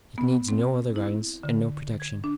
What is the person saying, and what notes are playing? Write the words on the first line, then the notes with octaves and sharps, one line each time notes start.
It needs no other guidance, and no protection.
B3
C4
E4
D3
G#6
D4